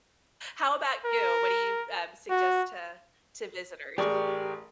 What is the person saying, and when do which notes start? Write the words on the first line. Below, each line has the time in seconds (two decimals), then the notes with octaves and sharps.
How about you? What do you, um, suggest to to visitors?
1.05 A#4
2.30 F#4
3.98 A1 G4 G#4 A#4 D5 C#6